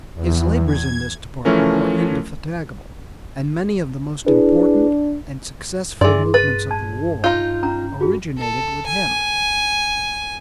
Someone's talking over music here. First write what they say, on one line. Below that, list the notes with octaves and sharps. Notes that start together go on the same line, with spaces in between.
His labors in this department were indefatigable, and many of the most important and successful movements of the war originated with him.
E2
G#6
E3 F3 A3 C#4 A#4
D4 E4 G#4 B4
G2 E3 G#4 D5 C6
B4 A6 D#7
A5 G#6
D#4 F4 G6
C#4 A#5
F#4 G#4
A4
G#5